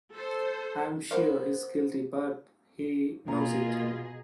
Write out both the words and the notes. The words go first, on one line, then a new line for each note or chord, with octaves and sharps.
I'm sure he's guilty but... he "knows" it.
A4 C5
B3 A#4 C5 F5
B2 A#3 F4 G#4 D#5 A#5